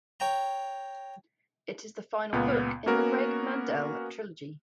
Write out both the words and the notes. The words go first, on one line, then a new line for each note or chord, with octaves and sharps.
It is the final book in the Greg Mandel trilogy.
C#5 G5 A#5
C#2 A#2 B3
A#3 B3 C#4 F#4 A#4